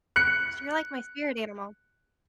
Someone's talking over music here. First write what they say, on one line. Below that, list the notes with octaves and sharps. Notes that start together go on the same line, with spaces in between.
You're like my spirit animal.
F#6 C#7